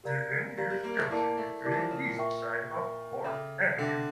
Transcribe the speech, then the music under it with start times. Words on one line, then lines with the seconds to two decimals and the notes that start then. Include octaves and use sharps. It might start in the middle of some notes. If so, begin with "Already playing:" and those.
The unused junction is to the east side of Fourth Avenue.
0.04 G4 A#4 D5 F5 A#5
0.58 G3 G4 A#4 D5 F5 A#5
0.70 G3
0.84 A#3
0.97 A3
1.11 A#3 E4 A#4 D5 A5 D6
1.37 A3
1.64 G3 E4 A#4 D5 A5 D6
1.72 E3
1.78 F3
1.91 C#3
2.05 A#2
2.17 A#4 E5 G5 C#6
2.71 A#4 E5 G5 C#6
3.24 C#3 A4 E5 G5 D6
3.78 D3 A4 E5 G5 D6